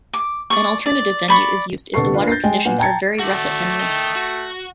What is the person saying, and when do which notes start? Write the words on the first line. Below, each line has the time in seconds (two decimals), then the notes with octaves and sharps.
An alternative venue is used if the water conditions are very rough at Henley.
0.13 D6
0.50 D5 C#6
0.86 D5
1.28 D5 B5 C#6
1.94 D2 C3 B3 A4 C#6 C7
2.14 D4 F4 B4
2.27 G6 A6 A#6 C7
2.44 G#3 G5 G#5
2.65 A#2 B3 F#5 G#5
2.78 G5 A5 A#5 G#6 A6 C#7
3.19 A3 F#4 D5
3.80 D#5 G5
4.16 F#4